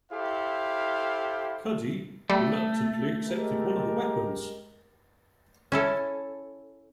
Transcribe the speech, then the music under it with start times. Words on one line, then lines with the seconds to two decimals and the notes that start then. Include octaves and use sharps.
Cuddie reluctantly accepted one of the weapons.
0.12 E4 G4 A4 C5 F5
2.30 G3 A3
3.27 G#3 G4 A#4
5.72 C#4 E4 A4